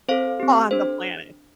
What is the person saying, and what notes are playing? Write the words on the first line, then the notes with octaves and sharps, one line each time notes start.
on the planet.
C4 A4 C5 F5
C4 G4
D4 A4 C5